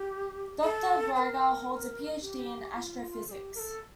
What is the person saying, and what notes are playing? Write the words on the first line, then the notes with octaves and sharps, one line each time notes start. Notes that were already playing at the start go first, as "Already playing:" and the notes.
Doctor Grygar holds a Ph.D. in astrophysics.
Already playing: G4
A4
C5
A#4
G4
F4
A4
G4
A#4
A4